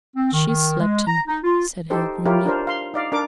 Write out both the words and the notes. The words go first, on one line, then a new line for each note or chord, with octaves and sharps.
"She slapped him," said Hale grimly.
C4
D#3
D#3
G#3
A#5
D#4
F4
D#4 G4 A4 C5
E4 F4 G4 A#4 C#5 E5
D4 A#4 C5
F5 C6
D#4 D5 F5
D4 A#4 D6